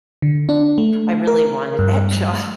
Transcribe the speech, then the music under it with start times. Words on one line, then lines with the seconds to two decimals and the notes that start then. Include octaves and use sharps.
"I really wanted that job,"
0.22 D3
0.49 D4
0.78 A3
1.27 A#4
1.79 G2